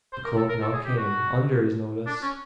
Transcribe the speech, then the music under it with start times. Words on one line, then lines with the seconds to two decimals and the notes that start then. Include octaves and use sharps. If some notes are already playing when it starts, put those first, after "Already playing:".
The cloak now came under his notice.
0.13 C5
0.25 A#4
0.37 A4
0.49 A#4
0.62 A4
0.73 G#4
0.85 G4
0.97 F#4
2.06 D4
2.22 C#4